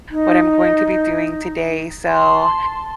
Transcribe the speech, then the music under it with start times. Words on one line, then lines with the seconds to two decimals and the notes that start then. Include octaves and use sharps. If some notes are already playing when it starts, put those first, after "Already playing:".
what I'm going to be doing today, so,
0.11 D#4
2.08 A5 C6